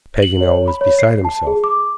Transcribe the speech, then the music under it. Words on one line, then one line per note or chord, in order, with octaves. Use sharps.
Paganel was beside himself.
F#7
C#5
B5
C#5
C7
A5
G#4
D6